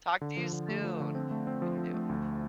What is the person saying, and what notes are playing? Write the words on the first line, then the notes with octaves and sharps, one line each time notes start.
Talk to you soon. You too.
D3
F3
D3
A3
F3
D3
C4
A3
C4
F3
F3
A3
D2